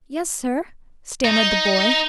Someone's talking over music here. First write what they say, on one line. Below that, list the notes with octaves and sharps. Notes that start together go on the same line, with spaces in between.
'Yes, sir,' stammered the boy.
D#4